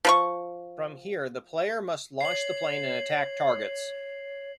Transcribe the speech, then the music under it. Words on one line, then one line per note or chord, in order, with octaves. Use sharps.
From here the player must launch the plane and attack targets.
F3 B4 C#6
C#5 C7 F#7